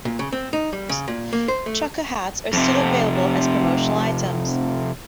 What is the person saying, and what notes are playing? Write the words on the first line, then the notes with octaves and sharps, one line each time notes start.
Trucker hats are still available as promotional items.
A#2
C#3
C4
D#4
G3
C#3
A#2
A#3
C5
A3
F2 C3